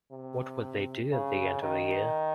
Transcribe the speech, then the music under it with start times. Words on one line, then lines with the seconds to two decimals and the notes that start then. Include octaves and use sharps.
What would they do at the end of a year?
0.12 C3
1.12 C#3
1.62 D#3